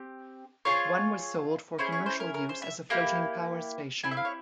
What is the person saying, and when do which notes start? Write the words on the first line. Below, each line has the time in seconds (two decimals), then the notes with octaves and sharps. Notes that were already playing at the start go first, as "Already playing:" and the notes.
One was sold for commercial use as a floating power station.
Already playing: C4 G4
0.65 C4 F4 G#4 C#5
1.79 C#4 E4 G#4 C5
1.92 C#5
2.06 C5
2.20 A#4
2.34 A#4
2.49 C5
2.62 E5
2.90 A#3 E4 G4
4.03 C4 E4 G4 G#5
4.11 E5
4.17 F5
4.25 C#5